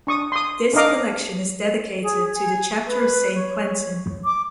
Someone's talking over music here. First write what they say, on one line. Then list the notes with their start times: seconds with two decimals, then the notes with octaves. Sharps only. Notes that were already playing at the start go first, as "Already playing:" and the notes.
This collection is dedicated to the chapter of Saint Quentin.
0.07 D4 C#6 D#6
0.32 C6 D#6
0.73 D4 D#4 A#4 D#5 F5 D6
2.03 G#4
2.35 G#5
2.87 B4
3.35 C#5
4.25 D6